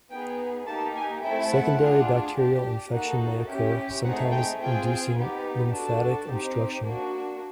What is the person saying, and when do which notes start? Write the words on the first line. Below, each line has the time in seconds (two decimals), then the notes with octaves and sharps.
Secondary bacterial infection may occur, sometimes inducing lymphatic obstruction.
0.11 B3 D#4 G#4 G5
0.67 A#3 D#4 G4 A5
0.95 G#5
1.23 A3 C4 E4 A4 G5
1.51 F#5
1.80 D4 F4 G#4
2.36 D4 G4
2.91 A#3 D#4 F#4 A4 F#5
3.48 C#4 E4 G4
4.04 A3 C4 D#4 G#4 F#5
4.32 G5
4.60 C4 F4 G#4 G5
5.17 B3 D#4 G4
5.72 D4 F#4 A4 A5
6.29 C4 D#4 G4
6.85 A#3 D4 F#4